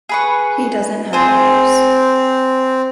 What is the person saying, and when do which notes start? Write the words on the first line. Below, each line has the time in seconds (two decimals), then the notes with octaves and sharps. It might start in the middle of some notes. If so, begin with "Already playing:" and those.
He doesn’t have ours.
0.09 G#4 B4 C#6
1.13 C4 G#4 C5